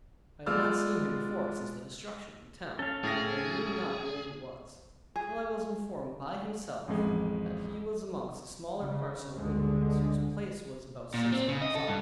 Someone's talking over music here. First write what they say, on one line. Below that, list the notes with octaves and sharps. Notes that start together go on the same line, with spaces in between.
I had not seen him before, since the destruction of the town, and I knew not where he was, till I was informed by himself, that he was amongst a smaller parcel of Indians, whose place was about six miles off.
G#3 B3 F4 D5 E6 F6
C#4 A4 F5
A2 G#4 A#6
G#4
A1 F2 G#3
C#3
D2 G2 D3 G#3
A#2
C4
C#3
D#5
A4
G2